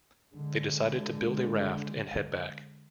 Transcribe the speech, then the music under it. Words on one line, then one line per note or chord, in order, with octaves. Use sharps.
They decided to build a raft and head back.
D3 G#3